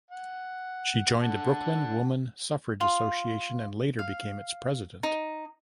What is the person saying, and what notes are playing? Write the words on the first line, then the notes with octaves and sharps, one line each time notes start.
She joined the Brooklyn Woman Suffrage Association and later became its president.
F#5
D3 F#5 A5
F4
F5
D#4